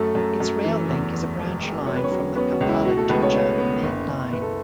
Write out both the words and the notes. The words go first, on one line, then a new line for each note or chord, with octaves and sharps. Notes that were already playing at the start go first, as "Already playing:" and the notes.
Its rail link is a branch line from the Kampala-Jinja main line.
Already playing: F#2 A3 A4
F#2
F#2
E3
E2
E2
E1
E1
F#3 C#5
B4
C#4 C#5
F#3
B3 C#4 B4
F#4
C#2
E4
B2 F#4
A3 A4
C#2 B3 B4
C#4 C#5
B3
B3
F#1
F#1
F#1 B4
A4